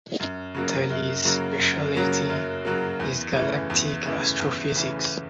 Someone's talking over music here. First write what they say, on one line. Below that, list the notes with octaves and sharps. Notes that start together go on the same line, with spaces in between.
Tully’s specialty is galactic astrophysics.
F#2
C#3 F#3 A#3
F#2
C#3 F#3 A#3
F#2
C#3 F#3 A#3
F#2
C#3 F#3 A#3
E2
C#3 E3 A3
E2
C#3 E3 A3
E2
C#3 E3 A3